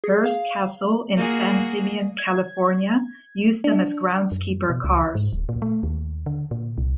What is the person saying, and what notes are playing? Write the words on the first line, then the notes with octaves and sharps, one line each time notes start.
Hearst Castle, in San Simeon, California, used them as groundskeeper cars.
G#4
F5
A#3 F#4 G#4
G#6
D4
F#2
B2
C#2
G#2
D1
A#2
A3
D#2
D3
A#2
C2